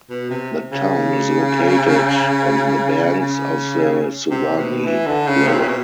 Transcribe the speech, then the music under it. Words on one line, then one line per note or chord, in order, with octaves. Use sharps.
The town is located on the banks of the Suwannee River.
B2
C3
C#3
C#3
C3
B2
E3
D3
C#3
C3
A#2
B2